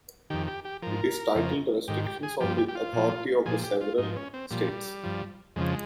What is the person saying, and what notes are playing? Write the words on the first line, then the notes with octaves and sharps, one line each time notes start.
It is titled, Restrictions on the Authority of the Several States.
F2 D#3 G4
G4
G4
G#2 F3 A#4
F2 C#3 F3
G#2 D#3 G4
G4
G#4
G2 F3 G4
G4
G4
F4
A#2 F3
A#2 F3 G#4
G4
F4
G#2 F3 D#4
C#4
C4
A#2 F3 G3
G2 F3
F2 C#3 F3 G#3